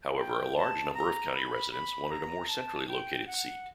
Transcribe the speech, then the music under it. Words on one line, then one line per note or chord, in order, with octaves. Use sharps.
However, a large number of county residents wanted a more centrally located seat.
G5
A5
A#5
B5
B5
A#5
A5
G5
F#5